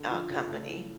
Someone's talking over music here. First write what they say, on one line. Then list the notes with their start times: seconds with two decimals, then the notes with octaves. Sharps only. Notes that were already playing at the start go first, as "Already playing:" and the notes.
uh, company,
Already playing: D3
0.11 F3
0.30 C#3
0.49 A3
0.68 E3